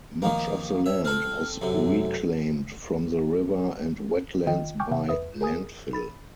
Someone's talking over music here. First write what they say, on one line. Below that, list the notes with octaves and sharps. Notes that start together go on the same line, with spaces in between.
Much of the land was reclaimed from the river and wetlands by landfill.
D#3 F3 A#3
C#5 E5
C4 A4 F6
F#2 C3 A4
D#3 F4 D#5 G5
G5 G#5 C#6 D6 F6 G6
C3 E5 F#5 G5
E2 B4 E5 D#6
G#4 A#4 G#5 D#6
B5 A6